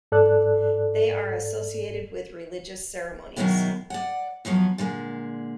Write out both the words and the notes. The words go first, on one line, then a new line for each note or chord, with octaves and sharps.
They are associated with religious ceremonies.
G#2 A4 D5 F#6
B2 D#3 F#3 G#3 B3 E4
D5 F#5
E2 F3 F#3 B3
A#2 D3 G#3